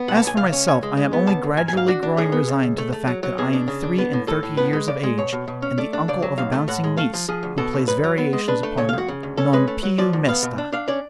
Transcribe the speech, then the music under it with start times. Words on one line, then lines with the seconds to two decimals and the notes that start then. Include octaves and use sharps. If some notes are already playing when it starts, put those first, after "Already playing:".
As for myself, I am only gradually growing resigned to the fact that I am three-and-thirty years of age, and the uncle of a bouncing niece, who plays variations upon 'Non piu mesta.'
Already playing: B3
0.08 B2 F#5
0.17 A5
0.23 B1 G#5
0.37 C#2 F5
0.52 C#4
0.67 C#2 G#5
0.83 G#3
0.97 G#3
1.13 B3
1.27 C#2 A5
1.43 C#2
1.57 G#2 G#5
1.68 G#5
1.73 G#2 F5
1.88 D4 F#4
2.03 D4
2.17 A2 G#4
2.32 B3
2.48 C#2
2.63 C#2
2.78 A3
2.92 A3
3.07 F#3
3.23 F#3
3.38 B2 G#4
3.53 D4
3.68 C#3
3.83 D4
3.98 B3
4.13 A2
4.27 A2 A4
4.43 A2
4.57 B3 B4
4.73 G#3
4.88 C#3 D5
5.03 G#3
5.18 B2 C#5
5.32 B2
5.48 B2
5.62 C#4
5.78 A3 D5
5.93 D4
6.08 C#3 D5
6.22 F#3
6.38 B1 F5
6.53 A3
6.68 A2 F#5
6.84 G#3
6.97 A3 F5
7.14 F3
7.28 F3 G#4
7.43 D2
7.58 B2 A4
7.73 B1
7.88 F#2 B4
8.04 F#3
8.18 B3
8.33 G#3
8.48 D4 B4
8.63 A3
8.77 C#3 C#5
8.89 F5
8.93 F2 F#4
9.08 C#3
9.23 D2
9.38 C#4 A4
9.53 G#3 B4
9.68 A3
9.83 F#3
9.98 F3 D5
10.13 D2
10.28 B3 F5
10.43 B2
10.58 D4
10.72 D4 F5
10.88 C#4 D5